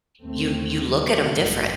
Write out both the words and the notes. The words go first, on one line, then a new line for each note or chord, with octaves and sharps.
you you look at him different.
D#2 A3 C4
G3 B3
F#3 A3
A1 G2